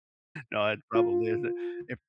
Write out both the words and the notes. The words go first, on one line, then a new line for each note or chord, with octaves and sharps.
No, it probably isn't, if
F4